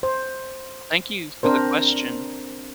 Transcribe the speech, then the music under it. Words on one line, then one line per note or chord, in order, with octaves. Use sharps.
Thank you for the question.
C5
C4 D4 A#4 C5